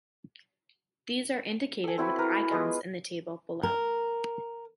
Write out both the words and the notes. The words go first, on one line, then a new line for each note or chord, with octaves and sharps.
These are indicated with icons in the table below.
A4 G#5
C4 E4 F#4 B4
A#4 B4
G#3 B3 F4
A#4